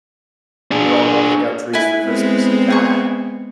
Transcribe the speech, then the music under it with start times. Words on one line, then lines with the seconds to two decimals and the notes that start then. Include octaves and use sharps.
we would all go pick out trees for Christmas, like, that
0.71 D4 G#4
1.73 E4 B4 G#5
2.05 G#3 B3 C4
2.70 G#4 C#6